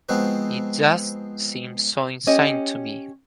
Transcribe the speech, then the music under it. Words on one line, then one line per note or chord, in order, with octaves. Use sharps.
It just seems so insane to me.
F3 G#3 B3 C4 F#4
C#4 G4 C#5 D#5